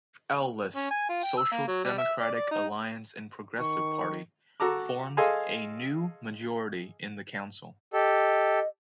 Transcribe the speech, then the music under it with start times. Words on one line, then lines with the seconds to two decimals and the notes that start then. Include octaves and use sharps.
L-list, Social Democratic Alliance and Progressive Party formed a new majority in the council.
0.76 C#4
0.91 G#5
1.09 F4
1.23 G5
1.37 E6
1.51 A#3
1.68 F#3
1.85 G3
1.98 E5
2.20 D5
2.34 D5
2.51 D#4
3.60 D#3 C#6
4.60 F#4 A4 A#5 D6
5.17 G#4 A4 D#5 F5 G#5 C6
7.93 G4 A4 D#5